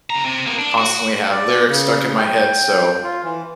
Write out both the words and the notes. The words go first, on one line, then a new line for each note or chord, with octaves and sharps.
constantly have lyrics stuck in my head, so,
C#3 A#5
C3
A#3 B3
D4
F#4
D5
C#3
G5
F4
E3